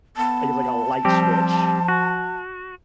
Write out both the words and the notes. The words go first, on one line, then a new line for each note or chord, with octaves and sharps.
I get, like, a light switch,
B3 A5
F3 G3 C4 G4
F#4